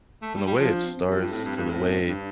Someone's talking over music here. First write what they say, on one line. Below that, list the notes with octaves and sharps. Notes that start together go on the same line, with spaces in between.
from the way it starts to the way
A3
G3
G3
F3 F4
C4
D4
C4
C4
F2 G4
G2 F4
A2 C4
G2
G2
A2
G2 D4